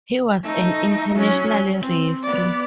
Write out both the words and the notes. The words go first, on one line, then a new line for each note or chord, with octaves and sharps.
He was an international referee.
A3 D#4
F#3 C#4
C4
B3 D5